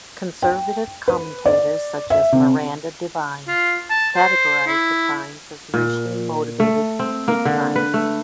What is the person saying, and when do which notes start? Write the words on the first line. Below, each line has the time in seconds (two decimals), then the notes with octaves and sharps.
Conservative commentators such as Miranda Devine categorised the crimes as racially motivated hate crimes.
0.42 G5
1.08 B4
1.46 D5
2.10 E5
2.32 C3
3.48 F4
3.90 A5
4.16 C5
4.66 E4
5.74 A#2
6.60 A3
6.99 C4
7.28 A#3
7.45 D3
7.76 B4
7.94 A3